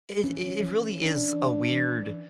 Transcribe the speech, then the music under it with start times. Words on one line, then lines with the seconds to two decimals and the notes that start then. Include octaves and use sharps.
it i it really is a weird
0.24 E3 C#4
1.01 D4